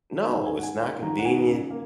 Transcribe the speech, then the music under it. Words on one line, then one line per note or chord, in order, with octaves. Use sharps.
No, it's not convenient
D#3
G#5
G#2
G#5
G#2 F#5
G#5
A#3 G#5
D#3 A#5
F#5
G#2 G#5
C#3
A#3